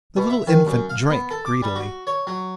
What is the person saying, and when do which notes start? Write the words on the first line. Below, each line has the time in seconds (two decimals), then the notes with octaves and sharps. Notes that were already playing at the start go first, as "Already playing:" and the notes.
The little infant drank greedily.
0.17 B2
0.30 E5
0.47 D#3
0.67 F#2
0.89 F5
1.10 B3
1.31 A4
1.46 D6
1.62 G3
1.75 F#4
2.07 C#5
2.27 F#3